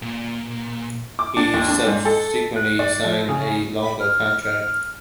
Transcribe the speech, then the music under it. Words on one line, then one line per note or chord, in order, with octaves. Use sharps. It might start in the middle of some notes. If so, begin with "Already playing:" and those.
He subsequently signed a longer contract.
A#2
D6
D4
D#2
D4
G#2
A4
F#6
D5
F3
C#3
B5
F6